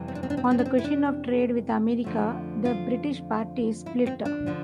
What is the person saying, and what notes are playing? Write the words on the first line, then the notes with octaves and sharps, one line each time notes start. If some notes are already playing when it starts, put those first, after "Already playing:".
On the question of trade with America the British parties split.
Already playing: F2 C3 E3 G3
C4
D4
C4
D4
C4
D4
C4
D4
C4
E4
D4
F2 D3 F3 A3
F4
E4
C4
D4
D3 F3